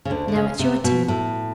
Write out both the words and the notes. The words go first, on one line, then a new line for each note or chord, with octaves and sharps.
Now it's your turn.
C#3
D2 D3
D3
C#3
C3
B2
A2